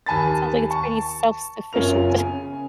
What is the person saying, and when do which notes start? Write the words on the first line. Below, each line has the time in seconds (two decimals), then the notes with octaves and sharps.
Sounds like it's pretty self-sufficient.
0.06 D#2 G#5 A5 B5 A6
0.70 A5 C#6
1.73 F#1 C#4 F4 A#4 F7
2.09 C#3 G#5